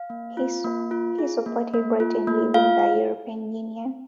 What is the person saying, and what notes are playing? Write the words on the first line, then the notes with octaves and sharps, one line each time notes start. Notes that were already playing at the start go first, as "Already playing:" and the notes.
He supported Britain leaving the European Union.
Already playing: F5
A#3
F4
A#3
F4
G#4
A#3
A#3
F4
A#3
F4 F5